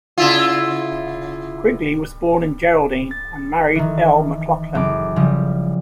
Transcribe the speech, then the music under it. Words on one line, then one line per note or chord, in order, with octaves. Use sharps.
Quigley was born in Geraldine, and married Al McLauchlan.
C#3 E4 F4
A6
D#3 E3
F#1 D6
C#3 F3 G3